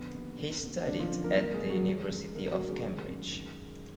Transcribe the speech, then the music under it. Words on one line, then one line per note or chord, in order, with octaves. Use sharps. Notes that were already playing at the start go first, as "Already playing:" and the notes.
He studied at the University of Cambridge.
Already playing: F2 D3 B3
D#2
D3
D#2
D3 D#3 D4
F3 F4
F#2
A#3 A#4
D#3 A#3 A#4
G#3 G#4
F2
F#3 F#4
D#3 G#3 G#4
F#2
D3 A#3 A#4
F#3 F#4
D2
G#3 G#4
D#3
F#2
D#3